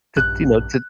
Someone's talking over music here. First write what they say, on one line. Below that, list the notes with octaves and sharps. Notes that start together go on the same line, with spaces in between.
to, you know, to
A#1 G2 F#6